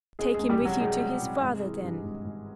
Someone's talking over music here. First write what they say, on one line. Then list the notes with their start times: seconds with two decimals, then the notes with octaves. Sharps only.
"Take him with you to his father then."
0.19 C#2 G#3 G#4
0.34 G#3 G#4
0.40 C#2
0.49 G3 G4
0.60 C3
0.65 F#3 F#4
0.80 C3 G#3 G#4
1.01 C#2
1.22 C3
1.42 G#1
1.63 E3
1.83 G2
2.04 G#1
2.25 G#1